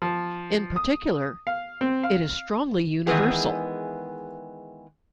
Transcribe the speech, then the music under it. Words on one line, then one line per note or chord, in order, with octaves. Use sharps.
In particular, it is strongly universal.
F3
D#6
F5
C4
F5
D#3 E3 G#3 B3 G#4